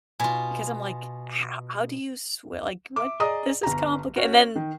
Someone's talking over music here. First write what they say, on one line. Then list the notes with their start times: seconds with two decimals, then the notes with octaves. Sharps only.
because I'm, like, how "How do you sw like, what? This is complica" and then,
0.20 B2 F4 G#5
2.96 E5 D6
3.20 G#4 D5 D#5 A#5 D#6
3.63 G1 A#5
4.16 C#4 F#4
4.56 D#3